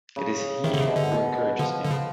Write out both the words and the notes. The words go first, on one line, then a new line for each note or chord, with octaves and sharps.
It is he who encourages me.
C#3
C3 D#3
D3
C#3
B2
D3
B2
B2
D3 F3
D3
C#3